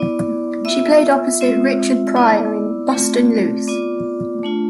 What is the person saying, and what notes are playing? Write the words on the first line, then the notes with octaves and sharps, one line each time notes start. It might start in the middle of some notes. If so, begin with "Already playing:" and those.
She played opposite Richard Pryor in "Bustin' Loose".
Already playing: B3 E4 D5 D6
B3 F4 E5 E6
G#3 C4 F4
E6
B3 E4 D5 D6
A3 C4 F4
B3 F4 D5 D6
A3 D4 F4